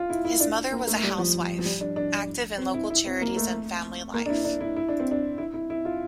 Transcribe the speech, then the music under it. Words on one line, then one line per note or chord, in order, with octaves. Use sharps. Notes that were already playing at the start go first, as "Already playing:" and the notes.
His mother was a housewife, active in local charities and family life.
Already playing: F4
E4
E4
D4
A#3
A3
G3
F3
F3
G3
D4
D4
C4
E4
E4
C4
A#3
A3
A#3
D4
E4
D4
E4
E4
D4
C4
D4
E4
E4
E4
F4